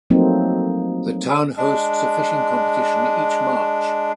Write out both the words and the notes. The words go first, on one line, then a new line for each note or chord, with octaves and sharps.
The town hosts a fishing competition each March.
F3 F#3 A3 A#3 C4 D#4
G#3 D4